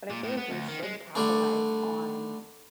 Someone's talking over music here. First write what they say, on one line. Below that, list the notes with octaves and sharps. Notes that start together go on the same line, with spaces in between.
but I feel like you should capitalize on
A#2
A2
B3
D2
D#3
G#3
D3 G3 A3 D4